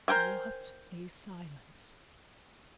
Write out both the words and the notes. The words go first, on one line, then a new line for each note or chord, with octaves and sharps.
What a silence!
A#4 C5 G5 G#5